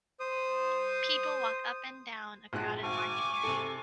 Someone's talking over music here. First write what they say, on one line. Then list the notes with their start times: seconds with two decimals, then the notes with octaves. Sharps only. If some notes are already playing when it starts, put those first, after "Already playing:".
People walk up and down a crowded market area.
0.20 C5 D#6
2.53 A#1 G#3 F#6
2.83 G#1 G#5 C#6 D6
3.44 C3 A4